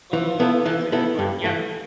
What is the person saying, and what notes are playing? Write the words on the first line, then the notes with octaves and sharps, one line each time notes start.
Oh, that's a good one. Yep.
E3
B3 E4 A4
E3
B3 E4 A4
G2
E3 A3